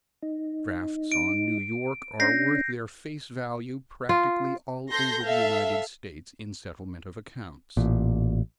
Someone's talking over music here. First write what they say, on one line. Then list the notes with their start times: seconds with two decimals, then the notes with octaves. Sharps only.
Drafts on New York are worth their face value practically all over the United States in settlement of accounts.
0.23 D#4
1.12 D7
2.20 C#4 D4 G6 A#6 C7
4.09 F4
4.90 A4 C6 G6 A#6
5.23 A4 E5 F5
7.77 A1 A#2